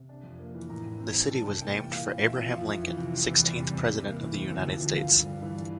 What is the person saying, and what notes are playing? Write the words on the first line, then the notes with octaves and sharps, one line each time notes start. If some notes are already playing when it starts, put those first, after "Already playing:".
The city was named for Abraham Lincoln, sixteenth President of the United States.
Already playing: C3
D4
F2
A#3
E3
A2 A#5
A2
C4
G3
D4 A5
C3
A#3 G5
E3
A#2 F5
A#2
C4 E5
F3
F2 F5
F2
E3
C3
C4
E2
G3
C3
C3
C3
A#3
E3
C4
D2
F3
D3
G2 F5
G2
G3
E3
D4